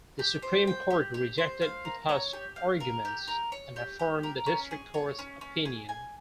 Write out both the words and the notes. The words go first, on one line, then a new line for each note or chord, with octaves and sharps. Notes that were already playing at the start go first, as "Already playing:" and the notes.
The Supreme Court rejected Utah's arguments and affirmed the district court's opinion.
G4
C5
G5
G4
G4
C5
F5
A#4
C#5
G4
F5
A#4
G4
A#4
C#5
G4
G4
A#4
C#4
G#4
C#5
C#4
C#4
G#4
G#5